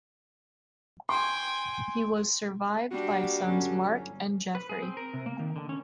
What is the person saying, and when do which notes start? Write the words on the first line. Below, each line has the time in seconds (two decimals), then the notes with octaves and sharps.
He was survived by sons Marc and Jeffrey.
1.09 G5 G#5 C6
2.91 G3 A#3 D4 F#4
3.41 G1 F#3 C#4
4.55 B4
4.69 G#4
4.82 C4
4.97 A#4
5.14 C3
5.26 A#3
5.39 D#3
5.56 D3
5.69 C#4